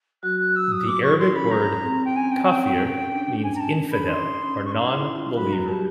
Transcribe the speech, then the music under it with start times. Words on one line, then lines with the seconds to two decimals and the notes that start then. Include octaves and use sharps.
The Arabic word "kafir" means infidel or non-believer.
0.22 F#3 F#4 F#6
0.39 F#6
0.55 E6
0.71 D#6
0.87 F4 D6
1.02 C#6
1.08 E4
1.19 C6
1.30 C#4
1.35 B5
1.51 A#5
1.83 C4
2.05 G5
2.15 C#4 G#5
2.31 G5
2.43 F#5
2.47 C4 G5
2.63 G5
2.79 C#4
3.12 D4
3.43 G#5
3.55 A#5
3.60 A5
3.91 B5
4.08 D#4 C6
4.40 C#4
4.65 C#6
4.71 D#4 C6
4.93 E4
5.15 F4
5.35 F#3 F#4 B5
5.52 A#5
5.67 G3 G4 A5